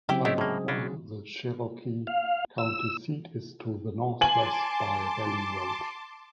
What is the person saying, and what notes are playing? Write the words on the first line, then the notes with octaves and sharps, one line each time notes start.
Tahlequah, the Cherokee County seat, is to the northwest by Welling Road.
C#3 F#3 C4 E4 G4
G#3 A3 E4 G4
A2 A#3 G#4
C#4 D4
F5
E6
G#5 A5 C6 D6 F#7